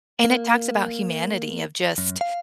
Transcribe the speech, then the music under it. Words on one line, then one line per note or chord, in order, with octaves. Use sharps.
And it talks about humanity of just
A#3
F#2
F5